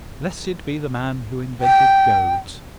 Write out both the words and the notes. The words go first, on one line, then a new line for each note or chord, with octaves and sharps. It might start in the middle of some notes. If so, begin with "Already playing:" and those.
Blessed be the man who invented goads!
G5